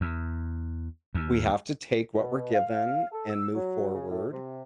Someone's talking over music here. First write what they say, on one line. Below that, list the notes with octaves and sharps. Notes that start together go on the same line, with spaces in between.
we have to take what we're given and move forward,
E2
D#2
B2
F5
A4
E6
F#3
C#3
A2
C3